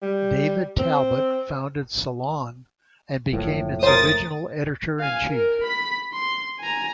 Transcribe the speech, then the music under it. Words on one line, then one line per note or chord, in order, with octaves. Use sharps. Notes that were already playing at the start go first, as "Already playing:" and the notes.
David Talbot founded "Salon" and became its original editor-in-chief.
G3
C4
F#1 A2 F3
A#4 C5 D#6 A6
F5 G#5
A#4
B5 B6
C6
G#5 A#5